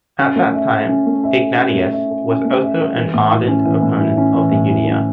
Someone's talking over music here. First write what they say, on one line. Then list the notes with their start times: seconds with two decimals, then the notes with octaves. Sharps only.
At that time, Ignatius was also an ardent opponent of the Unia.
0.19 C#4
0.36 A3
0.54 E5
0.71 A4
0.88 C#4
1.06 A3
1.24 E5
1.40 A4
1.57 C#4
1.74 A3
1.92 E5
2.10 A4
2.27 C#4
2.45 A3
2.62 E5
2.79 A4
2.96 E3
3.14 A2
3.31 E4
3.48 C#4
3.66 E3
3.83 A2
4.00 E4
4.17 C#4
4.34 E3
4.52 A2
4.69 E4
4.87 C#4